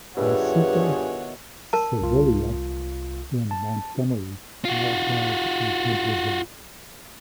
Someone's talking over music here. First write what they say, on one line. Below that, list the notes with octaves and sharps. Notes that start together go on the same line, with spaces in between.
Laiseka, Sevilla and Montgomery all have a good result.
G2 B2 D#3 E4 F4 G#4 C#5 F#5
A#4 A5
C2 F4
A5
F4 F#4